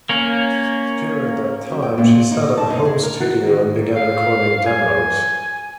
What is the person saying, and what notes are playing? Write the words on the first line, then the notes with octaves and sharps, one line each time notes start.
During that time she set up a home studio and began recording demos.
A#3 C#4
F#2
G5
A#2
D#4
A5
D#4
G#4
A#4
F#4
D#3
F5
G#5